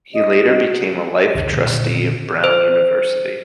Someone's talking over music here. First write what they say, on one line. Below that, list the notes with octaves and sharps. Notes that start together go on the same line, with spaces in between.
He later became a Life Trustee of Brown University.
D#5
F#4
C2 F2 D3 D#3
A#2 D3 D#3 G#3
C5